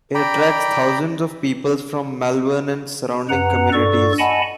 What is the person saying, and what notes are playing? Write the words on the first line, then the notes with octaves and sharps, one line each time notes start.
It attracts thousands of people from Malverne and surrounding communities.
D5 G5 A#5 B5
F#2 B4 F#5 A#5
G2 A4 D5 C#6
D#5 F#5 G#5 A5 B5